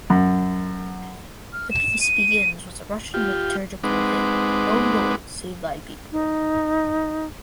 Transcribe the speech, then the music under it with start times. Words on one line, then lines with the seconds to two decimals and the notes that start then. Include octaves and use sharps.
The piece begins with a Russian liturgical hymn, "O Lord, Save thy People".
0.10 F#2
1.53 F6
1.71 E7
2.01 D#7
3.14 F4 G4
3.84 G#3 C4 D#4 B4 F#5 D6
6.12 D#4